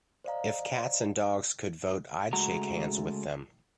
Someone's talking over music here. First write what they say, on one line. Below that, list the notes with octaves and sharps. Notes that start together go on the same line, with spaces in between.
If cats and dogs could vote I'd shake hands with them.
C5 D5 D#5 F5 A#5
C#3 G#3 A3 F#4 F#5 A#5